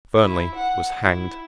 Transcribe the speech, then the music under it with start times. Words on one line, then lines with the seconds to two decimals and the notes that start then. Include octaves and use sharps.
Fernley was hanged.
0.19 E4
0.54 F#5
1.00 E4